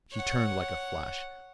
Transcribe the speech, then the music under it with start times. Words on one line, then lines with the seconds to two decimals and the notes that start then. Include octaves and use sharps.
She turned like a flash.
0.13 C#5 F#5